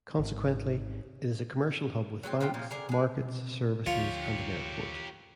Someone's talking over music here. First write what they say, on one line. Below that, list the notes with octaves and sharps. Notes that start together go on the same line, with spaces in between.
Consequently, it is a commercial hub with banks, markets, services and an airport.
G#1
F#3 G#3 B3 C4
C3 B3 F4 G5
A#2 C#3 F3
D3 G#4 A#4
G#3 G#4
B2 C4
D2 F3 F4 G4 C#5